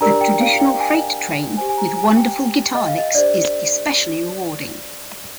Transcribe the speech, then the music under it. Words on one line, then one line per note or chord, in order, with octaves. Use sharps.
The traditional "Freight Train" with wonderful guitar licks is especially rewarding.
D4 G4 A#4 D5 A#5
G5
F5
G5
G#5
G4 C5 G#5
G#5
A#5
G#5
G5
D#5
F5
D#5
D4 G4 C5 D5